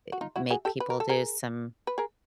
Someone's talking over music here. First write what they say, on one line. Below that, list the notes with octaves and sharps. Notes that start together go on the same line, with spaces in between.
i make people do some
F#4
D#4 F4
E4 F#4
F#4 G#4
G4 A4
B4
A#4
A4
G#4 A#4
B4
G#4 A#4